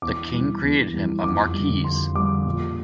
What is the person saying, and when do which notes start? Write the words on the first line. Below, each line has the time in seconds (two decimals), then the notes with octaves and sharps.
The king created him a marquis.
0.02 E2 D6
0.32 E3 G3
0.63 E2
0.94 E3 G3
1.24 F2 D6
1.54 G3
1.59 D3
1.84 F2 C6
2.15 D3 G3 D6
2.46 A#2